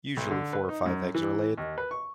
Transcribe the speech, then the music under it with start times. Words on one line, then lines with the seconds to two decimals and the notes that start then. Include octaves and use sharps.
Usually, four or five eggs are laid.
0.17 B1
0.31 D3
0.53 B4
0.69 D#4
0.86 F#2
1.15 E3
1.58 D#2
1.78 B4
1.91 C#6